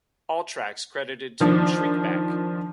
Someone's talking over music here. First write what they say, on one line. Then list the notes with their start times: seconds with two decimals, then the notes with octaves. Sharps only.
All tracks credited to Shriekback.
1.40 D#3 F3 D4